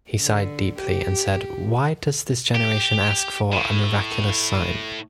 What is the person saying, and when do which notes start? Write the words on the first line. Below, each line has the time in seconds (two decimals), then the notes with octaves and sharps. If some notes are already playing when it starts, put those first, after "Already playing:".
He sighed deeply and said, 'Why does this generation ask for a miraculous sign?
0.21 D3
0.78 G4
2.55 G4
3.53 A2